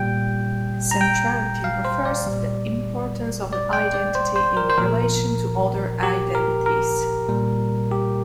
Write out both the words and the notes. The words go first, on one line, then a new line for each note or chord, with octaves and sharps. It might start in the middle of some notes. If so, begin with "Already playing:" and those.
Centrality refers to the importance of an identity in relation to other identities.
Already playing: A#2 G3 G5
A#5
G5
F5
C5
D5
A#2 G3
D5
G5
D5
C5
C5
A#4
C5
A#2 F3 A#4
G4
A#4
A#4
A#2 G3
G4